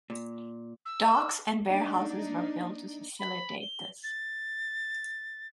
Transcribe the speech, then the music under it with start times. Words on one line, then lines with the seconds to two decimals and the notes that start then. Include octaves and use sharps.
Docks and warehouses were built to facilitate this.
0.10 A#2
0.85 E6
1.67 A#3 D4 D#4
3.20 B5
3.61 G7
4.04 A6